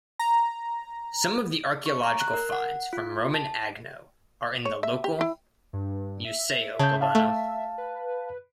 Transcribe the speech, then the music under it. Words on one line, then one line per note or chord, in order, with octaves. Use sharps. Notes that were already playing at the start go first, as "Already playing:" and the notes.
Some of the archaeological finds from Roman Agno are in the local Museo plebano.
A#5
C#6
A#5
F#6
A#4
F#5
F4
A5
C#5
E5
G4
E4
G2
E5
C#3 A5 G6
F5 A5
A3
B4